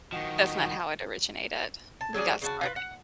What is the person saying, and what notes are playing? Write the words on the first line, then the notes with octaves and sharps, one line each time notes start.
That's not how it originated. We got started.
D#3 F3 F#4 D#5 G5
A5
F#3 C#4 D4 G#4
C#3 D4 F#4 A5
F4 F#4 B4
F#5